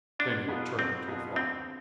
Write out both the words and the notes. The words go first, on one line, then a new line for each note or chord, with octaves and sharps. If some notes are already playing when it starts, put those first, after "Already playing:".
Then he returned to the flier.
B1 D4
B2 B3 F4 G#4
B1 C4
B2 B3 F4 G#4
D3 C4